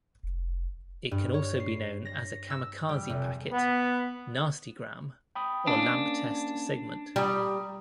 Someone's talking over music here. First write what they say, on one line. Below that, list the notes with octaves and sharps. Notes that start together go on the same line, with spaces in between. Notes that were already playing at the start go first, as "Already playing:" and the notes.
It can also be known as a "kamikaze packet", "nastygram", or "lamp test segment".
F1
G2
C#5
C7
A#6
E6
G3
F1
B3
G5 B5 D#6
A#3 C#4 D4
G3 A#5 D#6